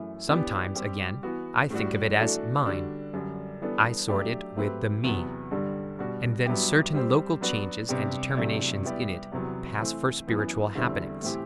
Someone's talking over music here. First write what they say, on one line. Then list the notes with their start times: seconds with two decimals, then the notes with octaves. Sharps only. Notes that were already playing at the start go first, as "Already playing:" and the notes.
Sometimes, again, I think of it as 'mine,' I sort it with the 'me,' and then certain local changes and determinations in it pass for spiritual happenings.
Already playing: F#2 E3 A3 E4
0.27 E3 B3 D4 G4
0.75 G3 C4 G4
1.23 E3 B3 F#4
1.70 A2 G3 D4 F#4
2.18 E3 A3 D4 F#4 A4
2.65 D3 G3 D4 F#4
3.13 F#2 D3 G3 D4
3.61 E3 G3 B3 D4 A4
4.09 F#3 A3 D4 G4
4.56 F#3 A3 C4 G4 B4
5.03 E2 C3 F#3 B3
5.51 G2 D3 G3
5.99 B2 G3 D4 F#4
6.46 G2 F#3 B3 E4 G4
6.94 G3 C4 G4 C5
7.41 F#3 B3 D4 F#4 B4
7.89 C3 G3 B3 D4 G4
8.37 E2 C3 F#3 A3 D4
8.84 G3 B3 E4 G4 D5
9.32 E2 C3 F#3 B3
9.79 E3 A3 C4
10.28 F#2 E3 B3
10.75 E2 D3 G3 C4 E4
11.22 A2 E3 A3 C4 G4